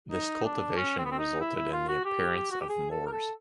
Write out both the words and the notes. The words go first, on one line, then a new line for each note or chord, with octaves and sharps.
This cultivation resulted in the appearance of moors.
D#4
D4
C#4
C4
B3
C4
D#4
E4
E4
F4
F#4
G4
F#4
G4
G#4
A4
A#4
A4